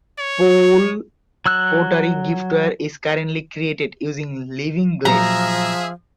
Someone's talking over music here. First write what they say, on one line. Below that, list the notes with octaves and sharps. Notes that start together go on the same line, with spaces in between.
Poole Pottery giftware is currently created using "Living Glaze".
C#5
F#3 E6 F#6
A#2 F3 F#3 G#4 E5 A#5